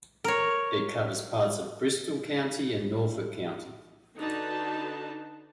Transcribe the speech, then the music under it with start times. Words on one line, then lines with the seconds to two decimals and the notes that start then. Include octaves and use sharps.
It covers parts of Bristol County and Norfolk County.
0.24 A#4 C#5
4.16 D3 D4 D#4 F#4 B4 A5